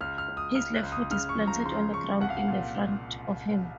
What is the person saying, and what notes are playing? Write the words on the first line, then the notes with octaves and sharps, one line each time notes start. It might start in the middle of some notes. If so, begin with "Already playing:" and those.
His left foot is planted on the ground in front of him.
C#2 F6
F6
C#2
D#6
C#2 F6
F#6
C#2
D#6
C#3 F6
C#6
F3
A#5
C#3 C6
C#2 C#6
C2 F#5
F5
F#5
A#2